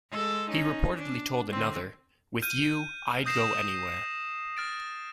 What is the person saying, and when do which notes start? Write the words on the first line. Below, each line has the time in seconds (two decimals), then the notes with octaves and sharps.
He reportedly told another, "With you, I'd go anywhere".
0.10 G#3 A4
0.50 C#4 D#4
0.98 D4
1.51 D3 C4
2.42 F6 G6 D#7
3.26 D#6 G6 A#6 C7 E7
4.57 F6 A6 D7